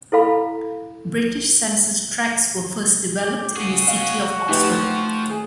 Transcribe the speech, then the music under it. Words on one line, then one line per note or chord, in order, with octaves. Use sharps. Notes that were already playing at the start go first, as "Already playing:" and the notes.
British census tracts were first developed in the city of Oxford.
E4 A4 F5 B5
G4
C#4 F#4 G#4
F#4 F5
F3 A3 D#4 G4 B4 E5 F#5
G#4